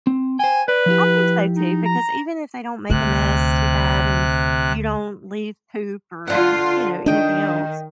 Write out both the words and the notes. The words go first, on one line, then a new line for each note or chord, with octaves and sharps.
I think so, too, because even if they don't make a mess too bad, and you don't leave poop or, you know, anything else,
C4
C5 G5 G#5
B4 D5
F3 E4 G4
D#4
A#5
D2 C3 F#6
D3 F4 F#5
D#3 D4 D#5 G5